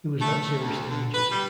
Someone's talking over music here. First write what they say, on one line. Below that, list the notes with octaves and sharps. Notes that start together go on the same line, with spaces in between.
He was not seriously injured.
A3
A3
D2
D3
B4
G3